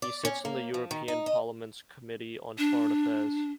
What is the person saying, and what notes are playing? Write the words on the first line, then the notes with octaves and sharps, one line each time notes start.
He sits on the European Parliament's Committee on Foreign Affairs.
D5
C#4
A#3
F3
D#3
D#4
D#5
D4